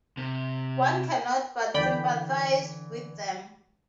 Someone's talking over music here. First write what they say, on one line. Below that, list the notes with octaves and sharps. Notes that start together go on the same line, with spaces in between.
One cannot but sympathise with them.
C3
D3 E3 D5 G5 B5